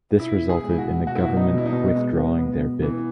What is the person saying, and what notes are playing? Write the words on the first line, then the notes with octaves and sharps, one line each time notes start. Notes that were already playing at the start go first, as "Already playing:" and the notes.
This resulted in the government withdrawing their bid.
B2 E4
B3
G#4
G#3
E4
F#4
B2
B2 F#4
E4
F#4
B2
D#4
B2
E4
D#4
B2
G#3 B3
B3
B3
B2
E3 B3